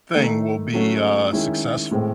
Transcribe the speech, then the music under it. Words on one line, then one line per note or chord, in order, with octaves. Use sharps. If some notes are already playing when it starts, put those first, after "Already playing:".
thing will be, uh, successful?
D#3 A3 D#4
F#3 A3 C#4 F#4
D#3 G#3 C#4 E4
A2 G#3 C4